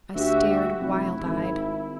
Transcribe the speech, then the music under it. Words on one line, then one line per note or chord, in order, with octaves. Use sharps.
I stared, wild-eyed.
D2 F#4 G4 E5
F1 E4
G#1